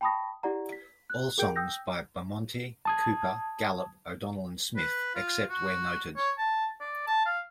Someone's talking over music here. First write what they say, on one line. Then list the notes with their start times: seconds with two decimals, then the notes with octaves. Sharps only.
All songs by Bamonte, Cooper, Gallup, O'Donnell and Smith, except where noted.
0.01 G5 A5 B5 C#6 D#6 A#6
0.43 E4 G4 D5 F#5 A#5
0.72 B6
1.10 F#6
1.38 F#4 G#4 A#4 G5 G6 D7
1.56 G5 D#6 E6 G6 A#6
2.85 A5 D#6 G#6
4.77 B4
5.15 F4
5.50 F#4
6.16 C#5
6.38 A5
6.81 D5
7.07 A5
7.26 F5